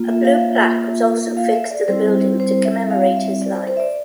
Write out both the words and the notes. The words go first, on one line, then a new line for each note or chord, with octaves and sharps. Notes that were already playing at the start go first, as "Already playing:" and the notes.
A blue plaque was also fixed to the building to commemorate his life.
Already playing: A#3 F4
E5
F5
E5
F5
E5
D5
G3 C4 E4 C5
C5
E5
F5
E5
D5
C5
C5
E5
D5